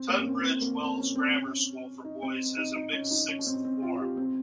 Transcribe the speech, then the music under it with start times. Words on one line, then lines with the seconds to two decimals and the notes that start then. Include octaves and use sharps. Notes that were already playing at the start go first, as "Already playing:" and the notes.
Tunbridge Wells Grammar School for Boys has a mixed sixth form.
Already playing: C4
0.08 A#3
0.19 C#4
0.26 C4
0.44 C4
0.62 A#3
0.80 C4
0.98 C#4
1.16 C4
1.33 C#4
2.04 D#4
2.23 C4
2.57 D#4
2.76 D#4
2.93 C#4
3.11 D#4
3.28 C#4
3.39 C#4
3.47 C4
3.65 C4
3.82 F4
3.96 F4
4.00 G4
4.17 C4